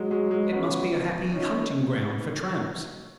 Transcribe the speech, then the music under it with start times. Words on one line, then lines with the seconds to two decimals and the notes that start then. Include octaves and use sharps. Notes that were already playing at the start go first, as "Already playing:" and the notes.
"It must be a happy hunting ground for tramps?"
Already playing: F#3 G#3
0.11 F#3 G#3
0.31 F#3 G#3
0.52 B3 C#4
1.34 C#4 D#4